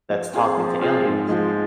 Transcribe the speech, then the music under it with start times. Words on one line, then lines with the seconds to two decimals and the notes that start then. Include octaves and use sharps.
that’s talking to aliens.
0.10 F3
0.34 C4 F4 G#4
0.57 F3
0.81 C4 F4 G#4
1.05 G#2
1.28 F3 G#3